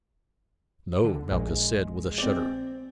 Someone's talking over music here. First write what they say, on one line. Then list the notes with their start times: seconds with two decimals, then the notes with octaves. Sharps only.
"No," Malchus said with a shudder.
1.04 D3
1.31 A#1 G#3
2.18 C4 D5